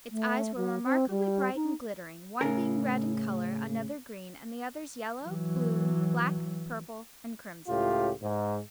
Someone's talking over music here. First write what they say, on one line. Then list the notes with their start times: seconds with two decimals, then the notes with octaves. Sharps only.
Its eyes were remarkably bright and glittering, one being red in color, another green, and the others yellow, blue, black, purple and crimson.
0.11 A3
0.56 F#3
0.84 C4
1.10 G3
1.55 D#4
2.41 A2 C#3 A#4
5.25 E3 F#3
7.69 C#2 A2 F4 G4
8.23 G#2